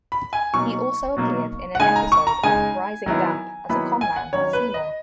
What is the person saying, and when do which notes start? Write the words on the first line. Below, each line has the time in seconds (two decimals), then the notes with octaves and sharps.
He also appeared in an episode of "Rising Damp" as a conman, Seymour.
0.12 B5
0.33 G#5
0.53 B2 F#3 A#3 D#4 C#6
1.17 B2 F#3 A#3 D#4
1.75 F#5
1.80 C#3 G#3 D#4 G#5
1.96 A#5
2.12 C#6
2.27 A#5
2.43 C#3 G#3 D#4 G#5
3.06 D#3 F#3 B3 E4
3.69 D#3 F#3 B3 E4 B5
4.01 G#5
4.16 F#5
4.33 D#3 F#3 C#4 C#5
4.53 B4
4.74 D#5